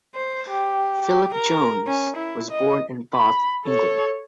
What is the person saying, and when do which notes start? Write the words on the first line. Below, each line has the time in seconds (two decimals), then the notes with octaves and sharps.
Philip Jones was born in Bath, England.
0.15 C5
0.50 G4
1.02 G4
1.34 A#4
1.87 C#4
2.17 E4
2.51 D#5
3.14 B5
3.65 A4 C#5